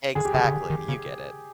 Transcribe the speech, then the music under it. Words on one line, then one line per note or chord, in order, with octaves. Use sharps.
Exactly, you get it.
D3 G#4
G4
C#3 G#4
C#3
D3
D#3
C#3